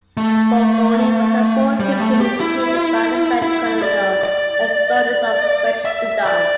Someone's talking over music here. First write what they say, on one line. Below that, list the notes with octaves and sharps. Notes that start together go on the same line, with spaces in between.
Bougouni was the fourteenth commune created by the French colonial authorities of French Sudan.
A3
G3
A3
G4
E4
E4
D5
D5
E5
D5